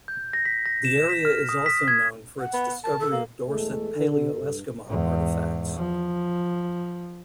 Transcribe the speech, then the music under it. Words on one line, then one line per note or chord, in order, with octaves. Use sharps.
The area is also known for its discovery of Dorset Paleoeskimo artifacts.
G6
A#6
B6
A#6
E7
B6
F6
D#6
B6
G#6
F#5
B3
A#4 A5
A4
A#3
E2 G#3 A3 A4
D3
G2
E2 G#2
F3